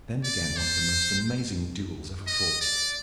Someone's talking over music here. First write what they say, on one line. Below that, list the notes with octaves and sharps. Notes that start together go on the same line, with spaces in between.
Then began one of the most amazing duels ever fought.
D5
C5
D#5
D5